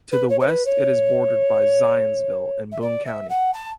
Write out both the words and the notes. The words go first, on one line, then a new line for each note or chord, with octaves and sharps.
To the west it is bordered by Zionsville in Boone County.
B4
C#5
C#5
B4
C#5
E5
D5
E5
F#5
A5